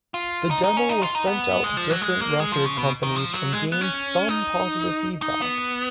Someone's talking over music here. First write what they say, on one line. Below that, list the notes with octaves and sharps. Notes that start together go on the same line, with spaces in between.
The demo was sent out to different record companies and gained some positive feedback.
F4
D#4
D#4
C#4
D#4
F4
D#4
B3
G#3
F3
F#3
G#3
A#3
G#3
F3
C#3
B2
D#3
F3
F#3
G#3
B3
C#4
D#4
D#4
B3